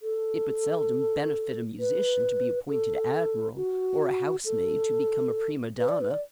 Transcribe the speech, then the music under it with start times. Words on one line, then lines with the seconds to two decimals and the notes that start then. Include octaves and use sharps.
It would seldom benefit a musician to be appointed admiral or a housemaid to become a prima donna.
0.02 A4
1.80 B4
2.68 A4
3.56 F#4
4.45 A4
5.79 B4
5.89 D5
6.01 B4
6.11 D5